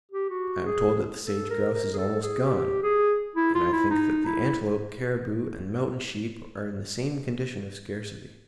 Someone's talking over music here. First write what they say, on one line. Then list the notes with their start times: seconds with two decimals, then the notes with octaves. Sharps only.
I am told that the sage grouse is almost "gone"; and I think that the antelope, caribou, and mountain sheep are in the same condition of scarcity.
0.12 G4
0.30 F#4
0.66 G#4
1.25 A4
1.50 A#4
1.74 A#4
1.93 G#4
1.98 A4
2.22 G#4
2.45 G4
2.83 G#4
3.36 E4
3.55 F4
3.73 E4
3.91 D#4
4.26 E4